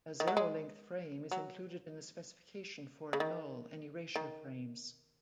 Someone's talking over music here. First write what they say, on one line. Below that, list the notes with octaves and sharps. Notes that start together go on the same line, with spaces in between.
A zero length frame is included in the specification for 'null' and erasure frames.
D#3
F#3
G#3
F#3
C#3
D#3
D#3